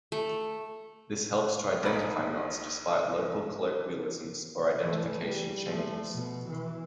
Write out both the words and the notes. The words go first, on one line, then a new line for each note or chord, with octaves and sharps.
This helps to identify knots despite local colloquialisms or identification changes.
A3
A#1 D#4 A#4 B5
E3 A3
G3
F3 A3
B2
E3